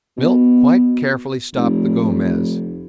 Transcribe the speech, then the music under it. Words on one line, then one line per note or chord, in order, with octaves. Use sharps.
Milt quite carefully stopped the Gomez.
B2
F1